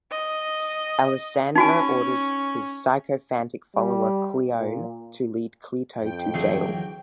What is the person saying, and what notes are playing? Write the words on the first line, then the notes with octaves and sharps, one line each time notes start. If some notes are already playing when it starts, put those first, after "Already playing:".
Alessandro orders his sycophantic follower Cleone to lead Cleto to jail.
D#5
C#4 D#4 F#4 G#5
G3
A#2
F2 G5
D3 E3 F#3 A3 G#4